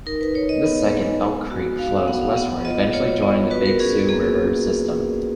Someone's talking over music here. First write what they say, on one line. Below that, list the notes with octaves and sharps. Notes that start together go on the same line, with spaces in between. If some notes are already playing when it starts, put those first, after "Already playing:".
This second Elk Creek flows westward eventually joining the Big Sioux River system.
D#4 A#4
B4
D#4 C#5
D#5
B3
G#3
B3
F#4
F#4 F5
B3 F#5
F5
B3 F#5
F4 D#5
F4 C#5
B3
F#4 B4
A#4
C#4 G#4
A#3 G#4